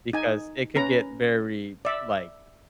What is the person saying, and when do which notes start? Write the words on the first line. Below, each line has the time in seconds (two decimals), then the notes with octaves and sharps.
because it could get very, like
0.13 D#4 G#5
0.76 C#4 B4 A#5
1.85 D5 E5